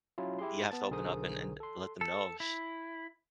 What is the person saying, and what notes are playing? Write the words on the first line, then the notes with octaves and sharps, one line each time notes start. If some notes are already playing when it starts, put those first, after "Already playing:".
you have to open up and and let them know sh
F#3 C#4 E4 F4
E4 G4 G#4 C6
B3 A5 A6
B1 D3 G#4 A#4 C5 D#6
A4 C6
A4
E4